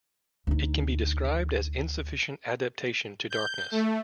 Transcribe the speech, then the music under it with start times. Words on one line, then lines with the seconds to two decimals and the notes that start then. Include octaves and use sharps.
It can be described as insufficient adaptation to darkness.
0.47 D2 D#4
3.30 G6
3.72 A3